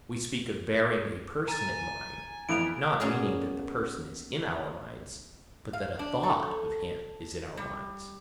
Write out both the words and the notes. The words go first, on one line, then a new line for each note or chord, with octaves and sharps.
We speak of bearing a person in mind, not meaning that the person is in our minds, but that a thought of him is in our minds.
G#5 A#5 A6
F2 E3 E4 D7 F7
A#3 B3 C#4 F#4 G#4 D5
F5
D4
A4
G3